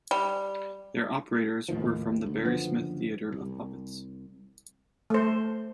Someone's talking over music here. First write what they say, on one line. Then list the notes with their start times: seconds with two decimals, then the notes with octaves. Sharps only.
Their operators were from The Barry Smith Theatre of Puppets.
0.11 G3
1.69 D#2 A2 D#3 F3
2.26 D2
2.45 F#1 D3 F3 B3
3.32 C2
5.10 A3 C5